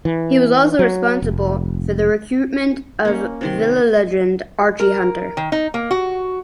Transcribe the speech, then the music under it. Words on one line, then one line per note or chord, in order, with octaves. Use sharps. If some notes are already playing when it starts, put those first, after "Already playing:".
He was also responsible for the recruitment of Villa legend Archie Hunter.
E3
F#3
F1
A#3 C#4
C3 D#3 C6
A#4
D#3
D#4
A#3
F#4